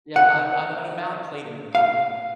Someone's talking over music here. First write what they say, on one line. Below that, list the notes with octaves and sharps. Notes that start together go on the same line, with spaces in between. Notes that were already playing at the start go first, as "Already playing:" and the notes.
Yeah, I o I I know Malek played him in the movie, I don't know.
F#5
F5